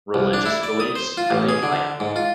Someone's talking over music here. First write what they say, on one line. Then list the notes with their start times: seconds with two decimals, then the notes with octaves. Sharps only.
religious beliefs, I think, l c
0.14 C2
0.33 D4
0.46 E4
0.63 D5
0.80 D#6
0.95 C5
1.17 F4
1.31 A1
1.49 G#4
1.63 D3
2.00 G#2
2.16 F4